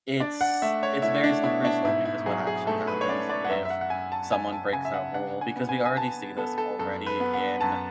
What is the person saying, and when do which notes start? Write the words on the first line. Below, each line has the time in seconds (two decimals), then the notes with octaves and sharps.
It's it's a very slippery slope, because what actually happens if someone breaks that rule because we already see this already in
0.20 D4 D5
0.41 F#5
0.62 A3 E5
0.83 C#5
1.02 A3 E4
1.24 D4
1.43 B2 E4
1.65 D4
1.84 G#2 E4
2.05 E4
2.26 F#3 G#4
2.47 G#4
2.67 A3 A4
2.88 B4
3.01 C#5
3.09 C#4 D5
3.29 D5
3.44 F#5
3.50 F#2 E5
3.65 E5
3.70 F#5
3.81 F#5
3.90 F#2 G#5
4.12 A5
4.32 F#2 G#5
4.53 A5
4.73 C#3 G#5
4.85 E5
4.94 F#5
5.14 D4 F#5
5.41 G#5
5.56 B3
5.69 G#5
5.86 G#5
5.97 B3 A5
6.37 B3 A4
6.58 A4
6.79 F#2 A4
7.06 B4
7.20 B3
7.34 F#5
7.61 F#2 A5